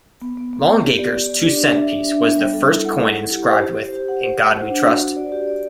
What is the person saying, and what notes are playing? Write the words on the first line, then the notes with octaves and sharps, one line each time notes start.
Longacre's two-cent piece was the first coin inscribed with "In God We Trust".
B3
B3
B3
B3
G4
D5
G4
D5
D4
D4
E5
E5
D4
B3
G3
A4
E4
F#5
E4
E4
G4
C5
G4
C5
G4
F#5
C5
F#5
C5
D4
F#4
F#4
D5
G4
D5